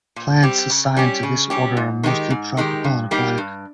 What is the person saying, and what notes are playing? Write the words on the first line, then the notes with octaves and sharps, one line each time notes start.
Plants assigned to this order are mostly tropical or aquatic.
A#2
G3 C4 G4
C#3
G3 C#4 G4
C#3
G3 C#4 G4
G#2
D#3 G#3 D#4 G4
G#2
D#3 G#3 D#4 G4
G2
G3 A#3 D#4 G4
G2